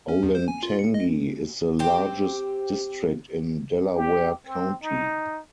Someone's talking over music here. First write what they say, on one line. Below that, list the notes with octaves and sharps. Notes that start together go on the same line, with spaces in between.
Olentangy is the largest district in Delaware County.
C#4
E2
C5
G#5
F4
C#7
D#5
C4 G4
G4
C4
D#4